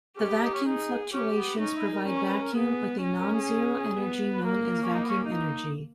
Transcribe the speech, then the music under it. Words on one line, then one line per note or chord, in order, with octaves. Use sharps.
The vacuum fluctuations provide vacuum with a non-zero energy known as vacuum energy.
C#4 G4
B3
D#4
C#4
D#4 G#4
C#4 G4
B3
C#4 D#4
E4
G#4
A#4
C#4
C#5
B4
A#4
B3 G#4
C#4
A#4
G#4
B3
B4
A#3 A#4
C#4
D#4
B3
C#4
D#4